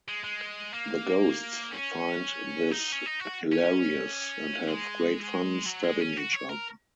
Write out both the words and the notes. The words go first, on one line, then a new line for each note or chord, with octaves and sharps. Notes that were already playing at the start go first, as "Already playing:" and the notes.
The Ghosts find this hilarious, and have great fun stabbing each other.
G#3
G#3
A#3
C#4
D#4
C#4
D#4
F#4
C#4
G#3
F#3
G#3
C#4
F#4
C#5
A#4